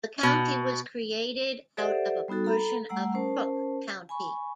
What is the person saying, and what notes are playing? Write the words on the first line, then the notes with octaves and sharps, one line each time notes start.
The county was created out of a portion of Crook County.
B2
G4 A4 C5 D5 E5 F#5
G3 B3 D#4 F#4 A4
A4 A#5 B5
G3 A3 F#5 A#5 E6
C#4 A#4 C5 A5
G#5 B5 C#6